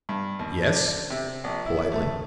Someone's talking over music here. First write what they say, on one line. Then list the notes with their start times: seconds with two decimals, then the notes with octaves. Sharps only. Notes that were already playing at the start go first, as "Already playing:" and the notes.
"Yes?" politely.
0.09 G2
0.39 D#2
0.70 D4
1.10 C3
1.44 A#1
1.66 E4
1.92 A3